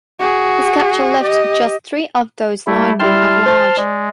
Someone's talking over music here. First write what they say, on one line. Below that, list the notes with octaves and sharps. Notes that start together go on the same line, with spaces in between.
His capture left just three of those nine men at large.
F#4 G#4
G4 D#5
G3 A3 E4
G3 E4 G5 A5 C6 F6
C5 A6
G#3 D5